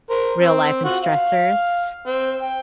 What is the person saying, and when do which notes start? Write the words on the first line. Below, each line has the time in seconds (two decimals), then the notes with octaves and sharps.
real life and stressors.
0.10 A#4 C5
0.42 C4
0.85 F4 F#4
1.04 F5
2.07 C4
2.42 G5